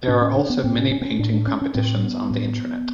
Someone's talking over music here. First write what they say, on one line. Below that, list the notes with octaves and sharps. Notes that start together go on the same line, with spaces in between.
There are also many painting competitions on the internet.
A2 C#4
C#4
D4
B3
A2 C4
C#4
C#4
C4
C#4
A2 D4
D4
C#4
C#4
A2 C4
B3
A2